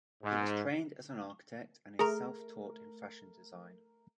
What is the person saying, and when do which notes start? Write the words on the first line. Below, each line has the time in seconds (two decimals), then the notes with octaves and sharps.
He was trained as an architect and is self-taught in fashion design.
0.23 G#2
1.99 A3 G#4 A#4 A#5